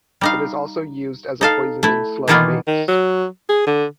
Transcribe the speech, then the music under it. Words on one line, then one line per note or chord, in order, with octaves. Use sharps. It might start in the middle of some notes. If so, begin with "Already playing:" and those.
It is also used as a poison in slug baits.
G3 D#4 F5
D#4 A4 F5
A3 E4
B2 D#3 E3 A#3 B3 F4
D#3
F#3
G#4
D3